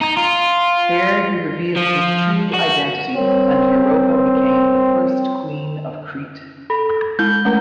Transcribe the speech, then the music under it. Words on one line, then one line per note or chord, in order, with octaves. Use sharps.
There he revealed his true identity, and Europa became the first queen of Crete.
D#4
F4
F3
F#4
G3 C4 A#4 C#5
A4 B5
G#3 E4 G6
A3 C#4 F#5